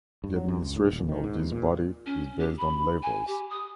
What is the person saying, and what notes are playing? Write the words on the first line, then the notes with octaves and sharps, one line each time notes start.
The administration of this body is based on levels.
G2
F#3
F#2
C#2
A2
D#1
D#3
G#2
E2
A#2
C#4
G4
B5
G#5
G4
D#6